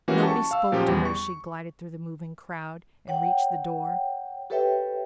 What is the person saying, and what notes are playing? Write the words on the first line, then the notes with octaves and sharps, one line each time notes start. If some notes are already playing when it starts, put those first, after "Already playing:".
Nobody spoke to her as she glided through the moving crowd and reached the door.
E3 A#3 C#4 F#4 G4 E5
A5 C#6
F5 E6
A#2 F3 F#3 C#4 G4
E2 G3
C#6
C#5 F#5 G5
G4 A4 B4 C#5 E5 G5